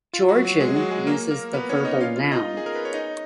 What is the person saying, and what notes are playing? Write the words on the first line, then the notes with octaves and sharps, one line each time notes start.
Georgian uses the verbal noun.
F4
F#3 F#4
F#3 F#4
G#3 G#4
F#3 F#4
G#3 G#4
A#3 A#4
A#3 A#4
B3 B4
C#4 C#5
D#4 D#5
F4 F5
F4 F5
D#4 D#5
G#4
A#4
B4
C#5
D#4 D#5